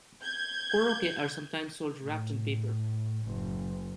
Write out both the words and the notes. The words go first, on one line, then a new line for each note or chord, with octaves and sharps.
"Korokke" are sometimes sold wrapped in paper.
G6 G#6
A2
F#1